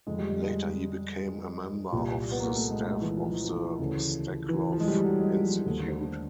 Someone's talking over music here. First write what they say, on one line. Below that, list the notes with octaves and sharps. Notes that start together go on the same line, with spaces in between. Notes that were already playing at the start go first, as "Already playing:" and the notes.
Later he became a member of the staff of the Steklov Institute.
F2 D3 G#3
G3
G#3
G#3
C2 A#2
B3
A#3
A3
G#3
G#3
E3
F3
E3
F3
D2 C#3 E3
E3
F3
G#3
G3
F#3
G#3
F3
G3
D#2 D3 A3
A#3
C4
D4